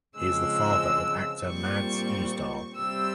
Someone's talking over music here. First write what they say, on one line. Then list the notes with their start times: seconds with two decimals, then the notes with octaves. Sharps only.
He is the father of actor Mads Ousdal.
0.18 C#3 F3 G#3 C4 E6
1.46 A#2 G3 C4 C#6
2.75 C3 G3 C4 E6